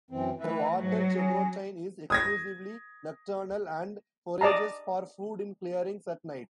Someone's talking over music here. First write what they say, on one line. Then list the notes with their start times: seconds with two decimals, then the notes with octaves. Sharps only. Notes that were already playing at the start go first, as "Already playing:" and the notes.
The water chevrotain is exclusively nocturnal, and forages for food in clearings at night.
0.11 F#2 E3 C4
0.40 E3 A3 B4 E5
0.78 G#2 F#3
1.15 C#4 G#4
2.10 D#6 G#6 A#6
4.41 D5 D#5 A5 A#5